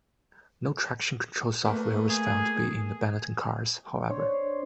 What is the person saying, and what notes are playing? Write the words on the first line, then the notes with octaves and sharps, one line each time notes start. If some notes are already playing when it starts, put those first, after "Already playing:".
No traction control software was found to be in the Benetton cars, however.
A3 A#3 B4
G#4
D4 C5 C#5